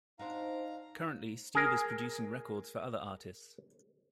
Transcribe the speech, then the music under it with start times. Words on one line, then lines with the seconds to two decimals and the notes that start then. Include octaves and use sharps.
Currently Steve is producing records for other artists.
0.19 C4 D4 D#4 F#4 F5 A#5
1.55 G#4 A#4